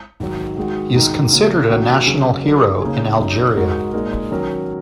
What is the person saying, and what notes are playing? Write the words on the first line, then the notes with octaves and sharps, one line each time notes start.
He is considered a national hero in Algeria.
G#2 D#3 F#3
D#3 G#3 F#4
G#2 D#3 G#3 D#4 F#4
C#3 A#3 F#4
D#3 A#3 C#4 F#4
C#3 F#3 C#4 G#4
F#3 D#4 A#4
C#3 A#3 D#4 G#4
F#2 F#3 D#4
G#2 G#3 D#4 F#4 A#4
A#2 G#3 D#4 A#4
D#3 F#3 C#4 A#4